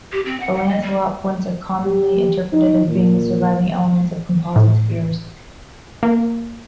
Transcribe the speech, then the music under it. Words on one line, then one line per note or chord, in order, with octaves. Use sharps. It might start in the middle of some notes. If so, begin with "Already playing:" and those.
The lanceolate points are commonly interpreted as being the surviving elements of composite spears.
G4
C4
F#5
F#5
D#5
G3
G4
D#4
A#2
A2
A#3